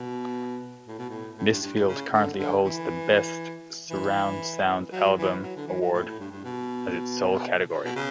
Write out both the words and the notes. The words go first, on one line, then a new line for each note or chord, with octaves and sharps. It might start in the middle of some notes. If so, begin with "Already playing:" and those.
This field currently holds the Best Surround Sound Album award as its sole category.
Already playing: B2
A2
B2
A2
A2
G2
G2
A2
C#3
D3
D3
E3
E3
F#3
E3
F#3
D3
E3
F#3
A2
A2
G2
G2
B2
B2
C#3